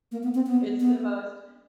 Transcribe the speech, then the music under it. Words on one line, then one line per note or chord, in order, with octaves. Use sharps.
It's the most
A#3
B3
C4
B3
B3